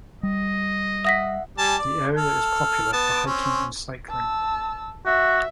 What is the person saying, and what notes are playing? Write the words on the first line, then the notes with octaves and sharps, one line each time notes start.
The area is popular for hiking and cycling.
G3 D#5
E5 F#5 D#6 A#6 B6
G3 G#5 A5
D5
A4 F6
B3 A5
C4 C#4
A5 E6
F#4 E5